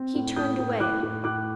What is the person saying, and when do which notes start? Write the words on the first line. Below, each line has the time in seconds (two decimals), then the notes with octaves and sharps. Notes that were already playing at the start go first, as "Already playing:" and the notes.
He turned away.
Already playing: C4
0.15 A2
0.36 A2 D#6 G6
0.59 A2
0.80 A2 D6 F#6
1.03 A2
1.24 A2 D6 F#6